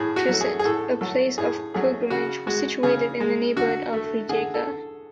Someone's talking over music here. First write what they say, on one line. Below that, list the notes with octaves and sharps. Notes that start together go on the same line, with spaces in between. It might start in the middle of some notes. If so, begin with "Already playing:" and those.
Trsat, a place of pilgrimage, was situated in the neighbourhood of Rijeka.
Already playing: A2 G#4
F#4
F#3 A3
G#4
G#4
A2 A4
F#3 A3 A4
A2 G#4
F#3 A3 G#4
C#3 F#4
G#3 F#4
C#3 G#4
G#3
D3 F#4
A3
D3 G#4
A4